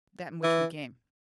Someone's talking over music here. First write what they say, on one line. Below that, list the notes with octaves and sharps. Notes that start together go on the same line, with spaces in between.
"That in which we came."
E3